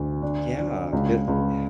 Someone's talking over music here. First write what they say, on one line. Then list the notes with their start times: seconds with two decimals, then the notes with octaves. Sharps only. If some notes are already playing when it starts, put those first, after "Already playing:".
Yeah, it yeah,
Already playing: D2
0.22 D4
0.58 D4
0.93 C#2
1.28 C#2